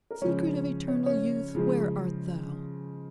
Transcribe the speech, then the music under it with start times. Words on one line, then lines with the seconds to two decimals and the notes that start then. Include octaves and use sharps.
Secret of eternal youth--where art thou?
0.11 A#4
0.22 C#3 F3 G#3 C#4 C#5
0.88 C#5
1.06 C#4 C#5
1.55 C#3 F3 G#3